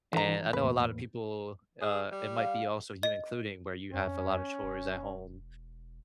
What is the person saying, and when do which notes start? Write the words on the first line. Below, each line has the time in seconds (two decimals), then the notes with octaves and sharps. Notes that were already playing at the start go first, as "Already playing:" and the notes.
And I know a lot of people, uh, it might be also you including, where you have a lot of chores at home,
0.13 D3 E3 A#5
0.53 E2 A2 A#3 B4
1.81 G#4
2.11 G3
2.38 F5
3.03 D#5
3.93 F2 C#4
4.62 E1